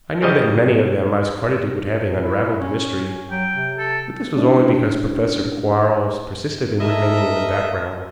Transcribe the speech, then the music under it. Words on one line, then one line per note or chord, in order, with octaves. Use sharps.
I know that in many of them I was credited with having unraveled the mystery, but this was only because Professor Quarles persisted in remaining in the background.
F#2 C#3 G3 D#5
E4
C#4
F#3 G5
C3
A4
G#3 C#4 D4 E4
A4 A#4 D#5 E5